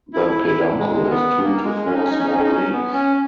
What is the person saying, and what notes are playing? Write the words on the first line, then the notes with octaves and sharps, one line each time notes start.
The peduncle has two to four small leaves.
E4
E4
E4
G#3
B3
A#3
G#3
C#4
D#4
C#4
D#4
C#4
D#4
C#4
D#4
C#4
B3
C#4